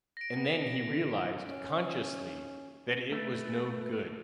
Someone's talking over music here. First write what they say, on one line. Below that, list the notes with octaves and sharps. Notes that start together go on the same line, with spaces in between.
And then he realised, consciously, that it was no good.
A#6 D7
B3
D3
C#4
A3 B4